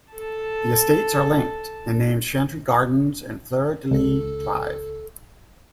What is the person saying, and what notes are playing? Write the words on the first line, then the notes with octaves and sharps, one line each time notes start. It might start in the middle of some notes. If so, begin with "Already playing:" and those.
The estates are linked, and named Chantry Gardens and Fleur De Lys Drive.
A4 A5
C#2 A4